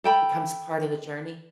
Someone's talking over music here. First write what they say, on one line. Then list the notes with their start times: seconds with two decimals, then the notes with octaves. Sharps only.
becomes part of the journey?
0.04 A4 G5 B5